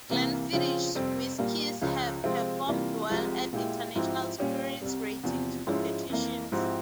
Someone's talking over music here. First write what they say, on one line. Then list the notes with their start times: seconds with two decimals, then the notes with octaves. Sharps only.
Glenfiddich's whiskies have performed well at international spirits ratings competitions.
0.10 C2 C3 E3 A#3
0.53 C#3 F3 C4 F4
0.95 F2 C3 G3 C4
1.38 A#2 G3 A#3
1.81 C#2 C#3 F3
2.24 C3 F3 G#3 C4 F4
2.66 C3 E3 G3 A#3 F4
3.10 C2 C3 F3 G#3
3.53 A#2 G#3 E4 G4
3.95 G#2 F3 C4 E4 G4
4.38 A#2 G3 C#4 G4
4.82 C2 C3 G3
5.23 E2 C3 F3
5.67 G#2 F3 G#3 C#4 E4
6.10 F2 E3 A#3
6.52 G#2 F3 C4 E4 G4